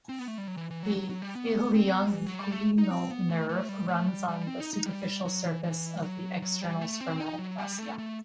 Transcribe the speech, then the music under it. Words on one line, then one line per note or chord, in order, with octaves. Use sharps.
The ilioinguinal nerve runs on the superficial surface of the external spermatic fascia.
C4
B3
A3
G3
F#3
E3
E3
F#3
F#3
F#3
G3
B3
C4
B3
E3
F#3
G3
A3
D#4
C4
B3
A3
A3
G3
A3
G3
G3
C4
D#4
D#4
G3
F#3
E3
E3
F#3
F#3
G3
A3
C4
D#4
F#3
G3
A3
A3